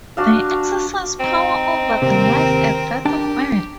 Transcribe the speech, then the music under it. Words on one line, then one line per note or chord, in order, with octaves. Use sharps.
They exercise power over the life and death of man.
D4 F#4 F5
C4 D#4
D#2 C3 A#4
D4 G4 G5 A5